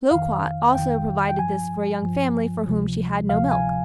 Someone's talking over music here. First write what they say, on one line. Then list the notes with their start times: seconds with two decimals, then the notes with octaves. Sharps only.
'Loquat' also provided this for a young family for whom she had no milk.
0.11 F2 D#3 F5
0.75 F2 D#3 G5
1.29 G5
1.39 G2 F3 G#5
2.02 G2 F3
2.66 D2 C3 F3
3.29 D2 C3 F3 F5
3.51 G#5